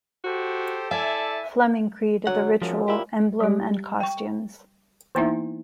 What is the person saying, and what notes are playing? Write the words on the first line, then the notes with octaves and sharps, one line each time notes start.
Fleming created the ritual, emblem and costumes.
F#4 G4 A4 C5
E4 A4 D5 E5 G#5 A5
D3 F#3 F#5
F#2 F3 G#3
A#2 E4 G4
G3 G4
G5 C#6
E3 A#3 B3 D#4 E4 E5